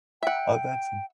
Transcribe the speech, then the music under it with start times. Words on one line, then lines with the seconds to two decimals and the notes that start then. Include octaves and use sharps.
Oh, that's in
0.23 E5 F#5 G5